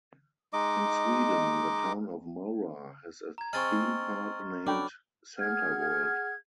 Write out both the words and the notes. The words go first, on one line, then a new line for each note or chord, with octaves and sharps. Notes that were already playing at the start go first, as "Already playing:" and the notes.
In Sweden, the town of Mora has a theme park named "Santaworld".
G#3 D#4 D#5 D6
A#5 G#6
C4 G#4 D#5 C6 C#6 F6 A6 G7
F#3 D4 A4 G5 B5 D6
G#4 F#5 F6 G#6